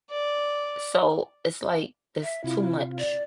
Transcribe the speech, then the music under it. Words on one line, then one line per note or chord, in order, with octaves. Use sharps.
So it's, like, it's too much.
D5
E5
C3 E4 F4
D5